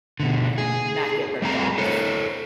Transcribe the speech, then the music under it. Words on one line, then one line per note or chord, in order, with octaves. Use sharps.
And not get ripped off.
B2 D3
G#4
G3 A3 C4 A#5
A4 C5 C#5